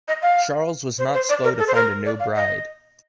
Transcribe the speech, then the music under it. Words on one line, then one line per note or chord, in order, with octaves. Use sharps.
Charles was not slow to find a new bride.
D#5
F5
C5
C5
D5
A#4
A4
C5
A#4
D5
F5
D#5